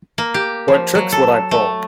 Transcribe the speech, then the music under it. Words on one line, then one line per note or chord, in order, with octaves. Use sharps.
What tricks would I pull?
A#3
G4
F3
F#3
A4
A3